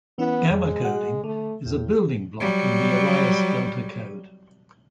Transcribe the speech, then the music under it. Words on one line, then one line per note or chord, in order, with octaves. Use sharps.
Gamma coding is a building block in the Elias delta code.
E3 B3 C#4 E4
F2 G#3
F#4 F#5
D3 A3
E2 A2
F#3 G3